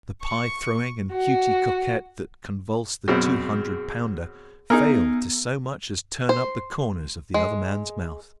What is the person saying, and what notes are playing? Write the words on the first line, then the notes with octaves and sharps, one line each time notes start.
The pie-throwing and Cutey Coquette that convulse the two-hundred-pounder fail to so much as turn up the corners of the other man's mouth.
C#6
F#4
F#2 B2 C4 G#4
B3 D#4 G#4 A#4
C5
G#3